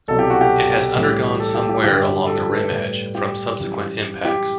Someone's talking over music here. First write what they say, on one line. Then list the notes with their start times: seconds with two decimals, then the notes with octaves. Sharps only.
It has undergone some wear along the rim edge from subsequent impacts.
0.08 C2 B2 F#3 A4
0.19 G4
0.30 F#4
0.41 G4
0.96 A2 E3 G3
1.40 A4
1.55 G4
1.69 G4
1.84 G2 D3 G3 G4
2.27 A4
2.50 B4
2.71 A2 G3
3.15 G4
3.59 F#2 E3 G3
4.25 G4